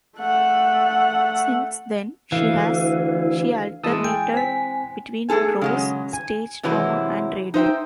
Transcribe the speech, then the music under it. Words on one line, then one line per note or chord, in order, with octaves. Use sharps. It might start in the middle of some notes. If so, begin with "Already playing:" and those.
Since then, she has she alternated between prose, stage drama and radio.
A3 F#5
D2 E3 F5
E3 G#3 A5 D#6 E6
G5 G#5
C4 B6
A3 B3 G#4 A4 G#5
C#3 F#3 G#3
G#5
C3 E3 F#3 G#3 E4
D#4 C5 E5 G5